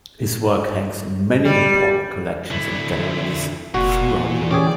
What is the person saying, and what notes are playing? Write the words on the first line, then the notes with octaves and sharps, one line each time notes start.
His work hangs in many important collections and galleries throughout Europe.
G3
D3 E4
F1 A#2 F#4
E3
E3 C#4 G4 G#4 D5